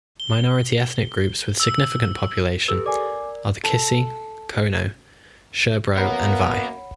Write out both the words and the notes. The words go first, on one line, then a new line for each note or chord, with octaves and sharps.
Minority ethnic groups with significant population are the Kissi, Kono, Sherbro and Vai.
G7
E6
G4 A4 B4 E6
A#4 D5 G#5 D6
A4
F#2 A#3 B3 A#4 C#5 F#5 B5